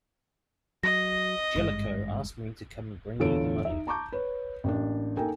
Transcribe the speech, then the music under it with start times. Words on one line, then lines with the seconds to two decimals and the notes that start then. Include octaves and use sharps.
Jellicoe asked me to come and bring you the money.
0.83 F#3 D#5 A#6
1.56 G#1 G2 G#3
3.20 E2 D3 F4 A4 C#5 D7
3.65 D#4 E5
3.87 A5 A#5 C#6 D6 G6
4.12 B4 C#5
4.64 A1 A#3 D4
5.17 A#3 D#4 A4 A#4 G5 G#5